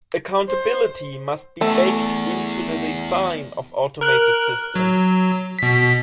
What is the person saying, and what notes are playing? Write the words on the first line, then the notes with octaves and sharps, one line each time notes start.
Accountability must be baked into the design of automated systems.
C5
E2 A3
A#4 F#6
F#3
B2 B6